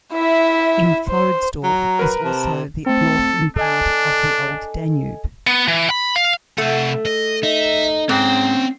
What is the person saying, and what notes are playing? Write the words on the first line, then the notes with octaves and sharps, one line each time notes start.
In Floridsdorf is also the northern part of the Old Danube.
E4 E5
C5
F#3 A#5
A#4 B4
C3 A5
A3 C4 A4
D4 A4 D#5 G#5
B3
E3
B5
F5
C3 A3 F#5
D#5
D#4 E5
G#2 C4 C#4 G5